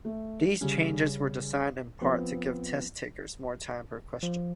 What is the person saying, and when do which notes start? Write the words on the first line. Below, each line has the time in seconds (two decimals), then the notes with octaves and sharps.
These changes were designed in part to give test-takers more time per question.
0.05 A3
0.61 C#3 G3 C#4
2.01 F3 B3 C4
4.23 F3